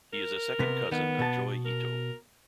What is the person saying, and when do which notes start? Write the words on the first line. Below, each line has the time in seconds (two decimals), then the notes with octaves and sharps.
He is a second cousin of Joi Ito.
0.12 A#4
0.59 C3 B3
0.91 D#3 B3
1.19 B2 A5
1.65 A#4